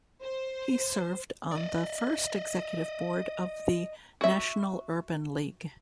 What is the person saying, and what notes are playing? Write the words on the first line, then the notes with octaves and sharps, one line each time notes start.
He served on the first Executive Board of the National Urban League.
C5
D5 D#5
F#4 E5